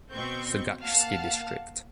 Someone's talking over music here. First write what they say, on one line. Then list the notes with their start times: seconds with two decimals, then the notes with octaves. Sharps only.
Sergachsky District.
0.13 B2 C4 C#6 G6
0.82 A#3 F5 F#5 A5